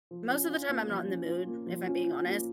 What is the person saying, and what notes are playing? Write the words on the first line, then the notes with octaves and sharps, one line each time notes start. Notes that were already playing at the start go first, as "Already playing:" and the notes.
most of the time I'm not in the mood, if I'm being honest.
F3
C#4
F4
A#3
F3
C#4
F4
A#3
F3
C#4
F4
A#3